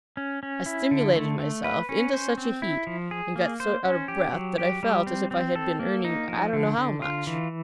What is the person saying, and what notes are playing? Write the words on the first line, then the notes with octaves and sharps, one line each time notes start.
I stimulated myself into such a heat, and got so out of breath, that I felt as if I had been earning I don't know how much.
C#4
C#4
E4
D3
A3
A3
B4
C#4
C5
C4
E4
F3
G#4
A#3
C5
C#4
G4
F#3
G4
G3
C4
C4
A4
A#3
D#4
F3
D3
D3
F4
E3